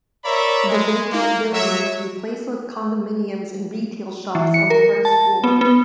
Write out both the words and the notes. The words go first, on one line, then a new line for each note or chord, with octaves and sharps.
The vacant building was replaced with condominiums and retail shops on the first floor.
A#4 C#5 D5 E5 A#5 B5
G#3
A#3
F#3 C#5 E5
E3
C#7
A#4
A5
B3
B3